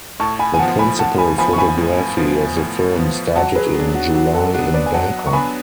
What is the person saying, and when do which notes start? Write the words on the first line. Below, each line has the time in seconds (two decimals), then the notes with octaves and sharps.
The principal photography of the film started in July in Bangkok.
0.20 A2 A5 C#6
0.39 G#5 B5
0.54 G#5
0.59 F3 B3 F#5 A5
0.79 G#5 B5
0.99 A2 F#5 A5
1.18 G#5 B5
1.38 F3 B3 G#5 B5
1.53 C#6
1.58 G#5 B5
1.77 A2
2.17 F3 B3
2.56 A2
2.96 F3 B3
3.35 F#3 F#5 A5
3.55 G#4 B4
3.75 B3 D4 G#4
3.94 F#4
4.14 F#3 F#4
4.34 F#4 A4
4.54 B3 D4 F#4
4.74 B4 D5
4.86 G#5
4.94 F#3 F#5 A5
5.27 C#6
5.33 B3 D4 G#5 B5